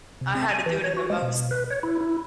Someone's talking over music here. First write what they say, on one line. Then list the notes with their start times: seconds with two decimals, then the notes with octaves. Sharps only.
I had to do it in the most
0.21 C3
0.35 C4
0.51 G#5
0.66 E3
0.84 C#5
0.97 F#4
1.10 G#3
1.22 B2
1.51 B4
1.70 C#5
1.83 E4
2.01 E4